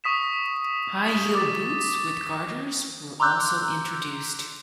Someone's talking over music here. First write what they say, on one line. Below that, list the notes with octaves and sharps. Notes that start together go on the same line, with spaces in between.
High-heel boots with garters were also introduced.
C#6 D#6 B6 E7
D6 A6
A#5 C6 D6 E6 F#6 G6